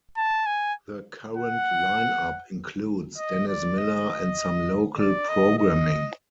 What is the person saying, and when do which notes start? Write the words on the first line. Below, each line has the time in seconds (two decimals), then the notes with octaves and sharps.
The current lineup includes Dennis Miller, and some local programming.
0.17 A5
0.46 G#5
1.37 F#5
3.17 D#5
3.48 D5
3.78 D#5
4.99 D5
5.29 D#5
5.58 D#5